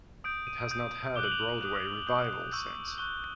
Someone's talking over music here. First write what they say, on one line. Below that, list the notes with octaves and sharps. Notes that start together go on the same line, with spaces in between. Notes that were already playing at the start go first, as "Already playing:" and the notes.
It has not had a Broadway revival since.
D#6 G6 D7
D#7
D#6 G6
D6 F#6 G7
F#7
F7
F#7
D#6 F#6
D#6 G6 F#7
C#6 E6 G6
C#6 F#6 G7